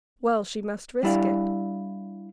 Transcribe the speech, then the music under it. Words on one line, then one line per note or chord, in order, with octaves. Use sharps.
Well, she must risk it.
G3 D4 E4 D5 F5